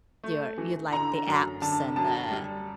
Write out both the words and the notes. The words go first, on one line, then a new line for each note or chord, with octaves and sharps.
your you like the apps, and the
A3
E3
D3 A#5
F#2
D3 A5
F#2 A5
G3